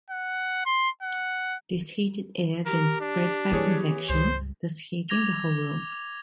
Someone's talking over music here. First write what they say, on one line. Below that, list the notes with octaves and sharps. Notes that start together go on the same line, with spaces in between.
This heated air then spreads by convection, thus heating the whole room.
F#5
C6
F#5
G4 A#4
D4
E3 A#3 G#4 C#5
C#2 G2 C5
D6 G#6 A#6 F7 G7